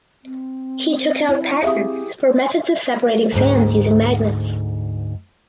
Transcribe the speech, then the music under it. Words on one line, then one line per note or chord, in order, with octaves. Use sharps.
He took out patents for methods of separating sands using magnets.
C4
E4
C4 G4 G#4 E5 F5 D#6
D2 G#2